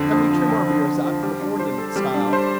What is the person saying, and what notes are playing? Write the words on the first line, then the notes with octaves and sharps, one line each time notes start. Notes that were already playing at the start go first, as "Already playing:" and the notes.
Can we trim our beards after the foreign style?
Already playing: F2 D3
F2
F3
F2
D3
F2
F3
G3
D4
C5
A4
G3
D4
C5